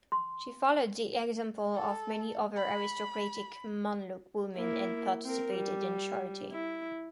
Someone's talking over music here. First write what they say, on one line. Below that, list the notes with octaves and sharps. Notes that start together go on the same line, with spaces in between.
She followed the example of many other aristocratic Mamluk women and participated in charity.
C6
A4
B5
A#3 E4
C4 A#4
G3
E4